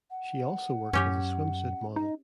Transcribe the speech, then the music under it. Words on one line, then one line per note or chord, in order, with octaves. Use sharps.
She also worked as a swimsuit model.
F#5
F#2 C#4 G4 C#5
D#4 D#5